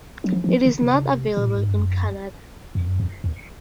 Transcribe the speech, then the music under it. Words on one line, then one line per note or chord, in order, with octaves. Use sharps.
It is not available in Canada.
F#3
F3
E3
F3
C#3
C3
C#3
C3
A#2
A2
G#2
G2
F#2
F2
F#2
F2
E2